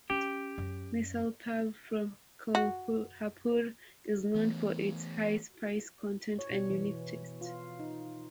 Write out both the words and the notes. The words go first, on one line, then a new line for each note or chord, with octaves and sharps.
Misal pav from "Kolhapur" is known for its high spice content and unique taste.
C#4 G4
F#2
F#4
E3 A3 B3
C#5
B2
E3
F4
D#4